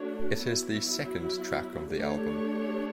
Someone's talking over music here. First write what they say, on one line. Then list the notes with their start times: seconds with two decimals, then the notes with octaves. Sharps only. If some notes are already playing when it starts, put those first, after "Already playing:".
It is the second track on the album.
Already playing: A3 D4 F#4 C#5
0.45 F#3 B3 E4
1.90 A3 D4 G4 C#5